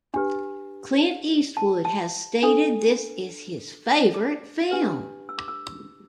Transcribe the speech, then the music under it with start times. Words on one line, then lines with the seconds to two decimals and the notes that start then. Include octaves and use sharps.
Clint Eastwood has stated this is his favorite film.
0.14 D4 G4 B4
1.57 A5
1.85 A5
2.43 D4 A4
4.14 D6
4.71 D4 G4 B4
5.29 E6
5.38 D6
5.48 E6